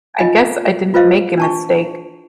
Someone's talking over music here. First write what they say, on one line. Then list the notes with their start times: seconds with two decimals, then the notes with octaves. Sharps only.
I guess I didn't make a mistake.
0.19 D#4 F4 D#5 F5 G#5
0.94 F4 B4 C5 D#5 F5
1.38 D4 A5 C#6